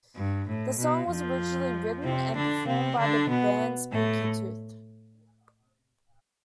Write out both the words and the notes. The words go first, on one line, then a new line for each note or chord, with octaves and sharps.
The song was originally written and performed by the band Spooky Tooth.
G2
A2
B2
F2 F3
C3 C4
D3 D4
C3 C4
D3 D4
B2 B3
A2 A3